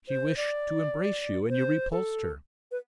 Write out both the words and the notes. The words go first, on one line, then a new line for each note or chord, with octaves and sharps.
"She wished to embrace you, and you repulsed her."
C5
D5
C5
A4
B4